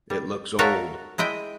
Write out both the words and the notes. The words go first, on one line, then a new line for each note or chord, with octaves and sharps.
It looks old.
G3
F#4 A4 A#4 C#5 E5 F5
G#3 E4 D#5 G5